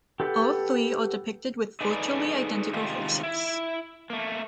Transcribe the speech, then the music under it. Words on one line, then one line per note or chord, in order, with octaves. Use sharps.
All three are depicted with virtually identical faces.
G4 A4 B4 F#5 G5
D#4 G#4 A4 B4 D5
C3 D#3 G#3 F4 G4
E4
A3 A#3